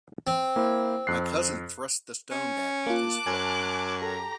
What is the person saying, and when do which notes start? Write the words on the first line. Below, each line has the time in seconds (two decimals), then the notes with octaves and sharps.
My cousin thrust the stone back with his foot.
0.27 C4
0.56 A#3 E4 C5
1.07 F2 F#6 C7
2.31 C#4
2.87 A#3 F4 A5 D6 F#6
3.26 F#2 G#5
4.02 G4 A4 A#5